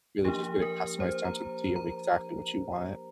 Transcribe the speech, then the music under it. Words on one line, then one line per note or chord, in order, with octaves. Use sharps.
really just get it customized down to the T of exactly what you want.
F3 A#3 D4 G4
A#4
C5
A#5
A#5